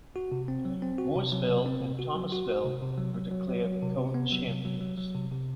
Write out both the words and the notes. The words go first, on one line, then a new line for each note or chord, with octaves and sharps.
Mooresville and Thomasville were declared co–champions.
F#4
C3
C4
F#3
C4
F#4
C3
F#3
C3
C4
C3
F#4
F#3
F#4
F#4
C3
C3
F#3
F#3
F#3
F#3
F#3
C3
C3
B3
F#3
C3
F#3
F#3
F#3
C3
C3